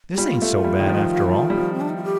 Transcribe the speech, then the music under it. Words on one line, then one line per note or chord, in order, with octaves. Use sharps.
This ain't so bad, after all.
G4
G3 F4
A3
G3
D#3
F3
G3
F3
C4
D4
D#4
F4
G4